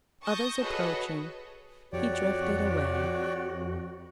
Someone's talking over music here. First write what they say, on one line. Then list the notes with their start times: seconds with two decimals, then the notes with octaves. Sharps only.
Others approaching, he drifted away.
0.23 A5 C#6 D#6 G6 A#6
0.62 F#4 G#4 A4 B4 C#5 D#5
1.93 F2 F#4 G4 C#5 D5